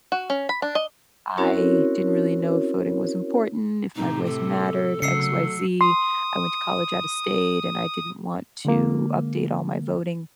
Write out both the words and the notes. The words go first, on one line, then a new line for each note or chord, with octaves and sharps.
I didn't really know if voting was important, if my voice mattered, XYZ. I went to college out of state, and I didn't want to update all my voting
F#4
C#4
B5
D4
D#5
C4 C#4 E4 F#4 A#4 C#5
A2 C3 D#4
A4
C#3 F#3 A3 E6 C7 C#7
C6 D#6
D3 G#3 A#3